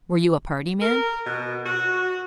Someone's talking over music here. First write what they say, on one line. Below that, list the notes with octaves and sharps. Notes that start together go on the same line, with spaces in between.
Were you a party man?
A#4
B2
F#4